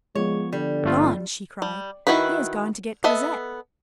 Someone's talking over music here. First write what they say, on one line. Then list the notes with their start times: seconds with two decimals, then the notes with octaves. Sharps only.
"Gone!" she cried; "he has gone to get Cosette."
0.15 F3 G#3 B3 C#5
0.53 D3 G3
0.84 G1 A3 F4
1.62 G3
2.07 D#3 E4 F#4 B4 B5
3.04 B3 A4 D#5 E5